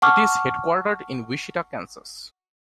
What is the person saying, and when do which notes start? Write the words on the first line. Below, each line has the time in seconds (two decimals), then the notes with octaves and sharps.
It is headquartered in Wichita, Kansas.
0.02 F#5 A5 C#6 D6 F6